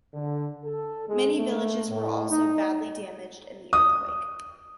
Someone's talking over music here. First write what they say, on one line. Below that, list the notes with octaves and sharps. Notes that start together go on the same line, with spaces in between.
Many villages were also badly damaged in the earthquake.
D3
A4
G#3
A3
A2
D#4
D#6